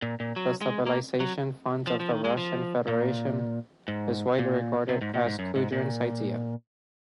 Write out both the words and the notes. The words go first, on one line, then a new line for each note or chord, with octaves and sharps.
The Stabilization Fund of the Russian Federation is widely regarded as Kudrin's idea.
A#2
A#2
F#3
G#3
A#3
F#3
F3
F3
D#3
G#3
F3
A#2
G#2
A#2
C3
G#2
A#2
G#2
F#2
G#2
A#2